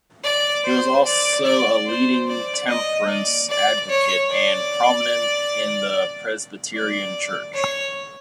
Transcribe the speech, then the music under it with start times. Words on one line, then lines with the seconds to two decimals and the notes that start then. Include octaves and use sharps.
He was also a leading temperance advocate and prominent in the Presbyterian church.
0.24 D5
0.65 C5
1.05 D5
1.46 D5
1.87 C5
2.28 D5
2.68 D#5
3.08 D5
3.49 D5
3.90 C#5
4.31 D5
6.74 D5
7.54 C#5